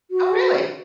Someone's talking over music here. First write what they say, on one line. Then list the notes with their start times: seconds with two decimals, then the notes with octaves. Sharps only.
Oh, really?
0.11 F#4